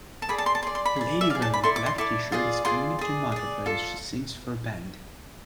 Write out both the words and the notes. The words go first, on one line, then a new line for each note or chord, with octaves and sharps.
A lady wearing a black tshirt is screaming into a microphone as she sings for a band.
A5
G#4 D5 B5
A5
C6
A5
G#4 D5 C6
C6
B5
G#4 D5
E5
D5 F5
G#4
A5
B5
E4 A4 D5 C6
D6
C6
E4 A4 D5 D6
F4 G#4 D5
F4 G#4 D5 C6
G#4 D5
G#4 D5
F4 A4